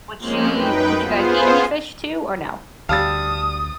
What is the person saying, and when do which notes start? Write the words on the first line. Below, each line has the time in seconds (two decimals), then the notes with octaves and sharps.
would she would you guys eat any fish, too, or no?
0.18 F3 G#3 A#3 C4 C#4 C5
0.49 F#2 D#4 B4 G5
0.99 B3 F4 G#4 C5
2.89 D2 G3 F5 A5 D#6 E6 A6